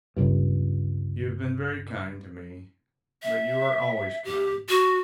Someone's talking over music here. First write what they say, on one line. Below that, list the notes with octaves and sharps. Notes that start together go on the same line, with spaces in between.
You have been very kind to me; but you are always kind.
G1 C#2 G2
E5
G4
F#4